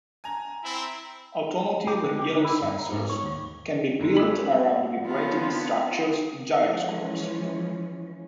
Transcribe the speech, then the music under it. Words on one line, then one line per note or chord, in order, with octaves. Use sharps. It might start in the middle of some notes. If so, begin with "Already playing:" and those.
Automotive yaw sensors can be built around vibrating structure gyroscopes.
G#5 A#5
C4 E4
G4
D3
G4
D3
E4
G2
D#4
G#2
C#5
D#2
D3 G#3 D#4
G3 G#3 C#4 B5 E6
D3 B3 C4 F4
E3 F3 G#3 C#4